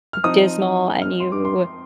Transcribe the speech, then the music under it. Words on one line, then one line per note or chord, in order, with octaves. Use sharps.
dismal and you
F6
F3 C4 D#4 D#6
F6
C6
D6
C6